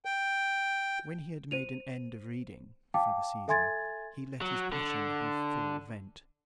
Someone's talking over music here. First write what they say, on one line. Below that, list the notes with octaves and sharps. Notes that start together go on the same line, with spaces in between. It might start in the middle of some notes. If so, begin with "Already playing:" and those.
When he had made an end of reading,--for the season,--he let his passion have full vent.
G5
C5 D#7 F7
F5 G5 A5 D6
A4 E5 G#5 C6 G#6 A6
F#3
D3